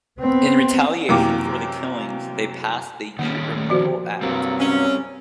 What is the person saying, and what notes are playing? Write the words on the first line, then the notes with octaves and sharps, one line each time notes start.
In retaliation for the killings, they passed the Ute Removal Act.
B3 C4
F#2 C3 E3 A#3 G4 D6
D#3 G3 A#3 C#4
A#2 F3 F#4 C5
G2 F#3 G3 A#3 C4
C#4